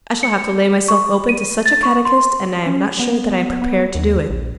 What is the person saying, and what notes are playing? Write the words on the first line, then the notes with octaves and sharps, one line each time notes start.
I shall have to lay myself open to such a catechist, and I am not sure that I am prepared to do it.'
C#7
C#6
D#7
A6
C#6
C6
C#4
B3
B3
D#2
A#1